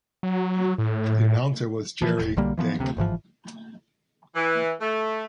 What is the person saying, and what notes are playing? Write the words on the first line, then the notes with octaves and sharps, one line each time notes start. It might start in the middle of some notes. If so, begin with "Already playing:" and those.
The announcer was Jerry Damon.
F#3
A2
E3 F3
E1
B1 D3 G3 A#3
E3 F3 G#3 B3
D2 C3
G1 G#2 E3 F3
E3
A3